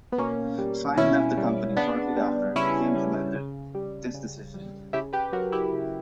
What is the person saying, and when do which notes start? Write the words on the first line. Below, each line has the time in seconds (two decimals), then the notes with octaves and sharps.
Fine left the company shortly after he implemented this decision.
0.12 B3
0.18 B2 A#3 C#4
0.58 G3
0.97 B2 C#4 E4
1.37 G3
1.77 C#3 B3 D4
2.17 G3
2.55 C#3 C#4 E4
2.96 G3
3.35 C#3
3.75 G3
4.14 C#3
4.54 G3
4.93 C#3 E4 G4
5.13 G4 B4
5.33 F#3 F#4 A#4
5.52 E4 G4
5.72 C#3